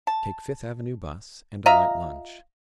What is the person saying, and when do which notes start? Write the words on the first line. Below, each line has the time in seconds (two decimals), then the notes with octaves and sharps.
Take Fifth Avenue bus, and a light lunch.
0.07 A5
1.66 F4 D#5 E5 A#5